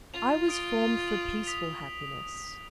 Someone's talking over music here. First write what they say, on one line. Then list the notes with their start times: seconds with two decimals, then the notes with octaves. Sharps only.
I was formed for peaceful happiness.
0.14 F4 F7
0.48 D#6 D7 G7
1.08 F#7
1.46 D#6 B6 F7